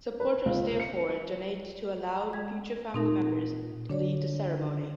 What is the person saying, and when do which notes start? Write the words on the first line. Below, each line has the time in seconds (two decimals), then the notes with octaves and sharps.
Supporters therefore donate to allow future family members to lead the ceremony.
0.20 B4
0.46 C#2
0.80 C#7
2.33 G#3 G#6
2.94 A#2 C4 D#4 A#4
3.90 D3 D4 C#5 D5